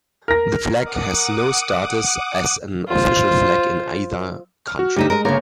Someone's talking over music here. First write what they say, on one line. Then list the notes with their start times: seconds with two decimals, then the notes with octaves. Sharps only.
The flag has no status as an official flag in either country.
0.28 A#4 A#6
0.84 F#5 D6 D#6
2.88 F4 C5
4.68 F6
4.79 F#4
4.96 D2 D#4 G4 E5
5.10 G#3 A#4 D#5
5.25 G1 C#3 A#3 A#4 C#5